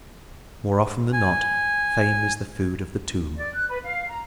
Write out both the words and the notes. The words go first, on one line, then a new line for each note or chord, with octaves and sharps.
More often than not, "Fame is the food of the tomb."
G#5
D5
F#6
B4
F5
A#5